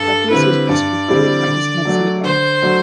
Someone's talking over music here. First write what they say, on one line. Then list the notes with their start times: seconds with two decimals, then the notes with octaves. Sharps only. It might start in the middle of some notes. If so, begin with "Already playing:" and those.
Afterwards, he was professor of the theory and practice of medicine at Yale.
Already playing: G2 A4
0.30 D3 G3 C4 E4 B4
0.69 G2 D5
1.08 D3 G3 C4 E4
1.47 D3
1.85 F#3 A3 D4 F#4
2.24 D3 C5
2.62 F#3 A3 D4 F#4